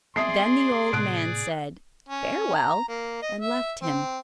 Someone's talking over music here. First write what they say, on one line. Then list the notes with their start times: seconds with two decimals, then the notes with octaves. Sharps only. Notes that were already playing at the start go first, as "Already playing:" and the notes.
Then the old man said "Farewell," and left him.
0.16 B3 C4 G#4 D5 E5 C6 D#6 C7
0.93 A2 C3 A#3 F#6 D7
2.09 C#4
2.54 A#5
2.88 A#3
3.22 D#5
3.41 E5
3.82 C4